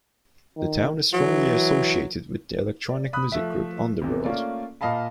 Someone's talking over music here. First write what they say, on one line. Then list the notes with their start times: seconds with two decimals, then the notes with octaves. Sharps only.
The town is strongly associated with the electronic music group Underworld.
0.56 D#3
1.13 E3 F#3
2.90 D5
3.13 B5 D#6 F#6
3.32 F3 A3 E5
4.02 E2 C3
4.24 A3 A#3 C#4 F4 D5
4.81 A#2 D#5 F5 A5 B5